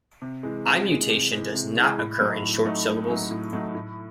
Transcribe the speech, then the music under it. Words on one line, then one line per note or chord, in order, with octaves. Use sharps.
I-mutation does not occur in short syllables.
C3
E3 G#3
C3
E3 G#3
C3
E3 G#3
C3
E3 G#3
A2
F#3 A3 D#4
A2
F#3 A3 D#4
A2
F#3 A3 D#4
A2
F#3 A3 D#4
A2